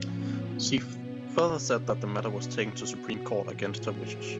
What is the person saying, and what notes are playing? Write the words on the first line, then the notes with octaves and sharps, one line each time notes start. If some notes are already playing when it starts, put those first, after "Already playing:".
She further said that the matter was taken to Supreme Court against her wishes.
Already playing: A2 F3 B3 C#4
C#4
B2 B3
C#4
B2 D4
F#4
B2
A2 F3 G#4
F#4
F#4